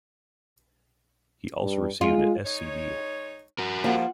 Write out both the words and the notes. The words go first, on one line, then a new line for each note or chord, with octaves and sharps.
He also received a Sc.D.
G2
G#3 F4
G#3 D#4 C#5
F#4 A#4
F2 D#3 F3 G3 A#3 F4 F#5